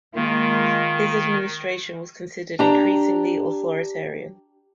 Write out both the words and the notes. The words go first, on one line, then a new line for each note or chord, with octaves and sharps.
His administration was considered increasingly authoritarian.
D#3 G#3 A#3 F4
D4 G4 A#5